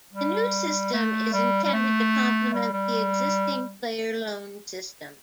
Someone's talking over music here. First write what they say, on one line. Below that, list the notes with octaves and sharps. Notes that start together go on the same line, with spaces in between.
The new system is intended to complement the existing player loan system.
G3
A3
G3
G3
A3
G3
G3